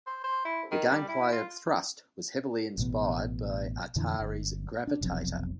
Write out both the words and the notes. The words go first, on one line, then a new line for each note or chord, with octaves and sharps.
The gameplay of "Thrust" was heavily inspired by Atari's "Gravitar".
C5
C5
E4
D#3
G3
E4
F4
A1 B2 B3
F2 A#2 D3 E3
G1
D4
F1 B1 F2